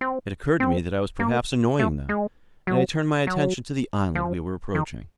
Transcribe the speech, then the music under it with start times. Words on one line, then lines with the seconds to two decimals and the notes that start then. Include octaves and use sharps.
It occurred to me that I was perhaps annoying them, and I turned my attention to the island we were approaching.
0.01 C4
0.60 C4
1.20 A#3
1.79 A3
2.09 G#3
2.67 F#3
3.27 F#3
4.15 F3
4.75 D#3